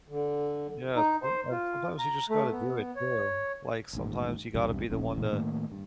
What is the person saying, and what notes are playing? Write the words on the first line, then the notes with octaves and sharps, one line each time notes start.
Yeah, sometimes sometimes you just gotta do it too. Like, sometimes you gotta be the one to
D3
D#4
C5
F4
A#5
A3
B3
C#5
A1 D#2 G#2
B1 E2 G2 C3
D1 A#1 A#3 C#4
F#1 A#2 E3 G#3
A2 D#3 A3 A#3
G2